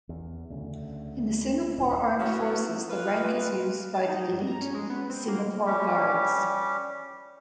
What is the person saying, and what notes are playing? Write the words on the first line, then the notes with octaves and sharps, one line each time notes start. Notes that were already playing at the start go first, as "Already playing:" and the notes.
In the Singapore Armed Forces, the rank is used by the elite Singapore Guards.
E2
D2 C#3
D#1
F#3 B3 C#4 E4 F#4
A#3 B3 F4 B4
A5
D#4
G2
A#5
C#4
G#3
B3
C4
A#3
G3 C#4 G4